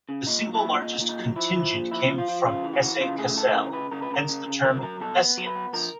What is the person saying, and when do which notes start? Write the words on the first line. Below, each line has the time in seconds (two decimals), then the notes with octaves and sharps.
The single largest contingent came from Hesse-Kassel, hence the term "Hessians".
0.09 C#3
0.27 A#2 D#4
0.46 F#3
0.55 E4
0.64 A#2
0.82 A#2 D#4
1.00 A#2
1.09 D#4
1.19 F#3
1.36 F3 E4
1.55 F3
1.73 A#2
1.91 F3 E4
2.09 F3
2.18 F4
2.28 F3
2.46 C#3 F4
2.64 E3
2.73 F#4
2.82 E3
3.00 C#3 F4
3.18 A3 G#4
3.37 E3 A4
3.55 C#3 A#4
3.73 C#3 B4
3.91 C#3 A#4
4.02 B4
4.10 C#3 A#4
4.29 C#3
4.46 C#3
4.65 F#3 A#4
4.82 F#3 A#4
5.01 B2 A4
5.18 B3
5.38 F#3
5.47 B4
5.56 B3
5.73 F3 A#4